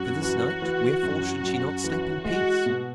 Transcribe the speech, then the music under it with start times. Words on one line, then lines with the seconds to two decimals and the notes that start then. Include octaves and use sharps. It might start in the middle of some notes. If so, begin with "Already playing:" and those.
For this night, wherefore should she not sleep in peace?
Already playing: F#2 F#4
0.22 E3
0.62 E3
1.03 F#2
1.43 F#2
1.84 E3
2.25 G#3 F#4
2.66 B2